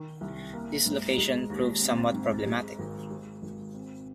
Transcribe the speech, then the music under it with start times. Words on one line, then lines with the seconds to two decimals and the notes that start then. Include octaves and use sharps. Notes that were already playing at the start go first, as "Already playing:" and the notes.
This location proved somewhat problematic.
Already playing: D#3
0.21 C2
0.53 A#3
0.86 G#2
1.17 G#3
1.50 D#2
1.82 C4
2.13 G#2
2.46 G#3
2.79 G#1
3.10 G#3
3.42 G#1
3.74 C4